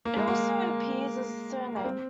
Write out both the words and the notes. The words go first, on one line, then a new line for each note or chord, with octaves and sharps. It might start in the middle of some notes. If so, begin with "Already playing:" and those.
It also appears as a surname.
A#3
G#3
A#3
A#3
C4